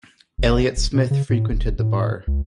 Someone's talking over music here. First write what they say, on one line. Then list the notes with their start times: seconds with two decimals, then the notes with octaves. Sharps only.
Elliott Smith frequented the bar.
0.38 F#1
0.76 D1
0.95 B2
1.11 C#3
1.29 A2
1.52 D#1
1.79 A2
2.27 C#2